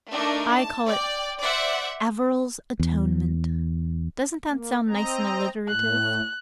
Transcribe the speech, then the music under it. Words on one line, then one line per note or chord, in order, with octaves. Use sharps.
I call it AVERIL'S ATONEMENT. Doesn't that sound nice and alliterative?
A3 D4 D#4 A#4
A5
D5 G5
C5 D5 E5 F#5
E2
A#3
C4 D#5 A#5
A2 F#6